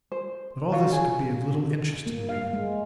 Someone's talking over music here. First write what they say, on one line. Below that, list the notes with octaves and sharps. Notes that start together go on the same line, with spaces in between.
But all this can be of little interest to the reader.
C5
F4 F#4 C#5
G#4
A#3
F5
G#3